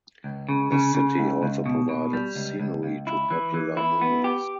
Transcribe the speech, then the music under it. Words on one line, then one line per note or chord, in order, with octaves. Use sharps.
The city also provided scenery to popular movies.
C#2
C#3
C#3
C#3
C#2
C#2
B2
B2
G3
C#2
C#2
C#2
E4
E3
E3
E4
B3
G4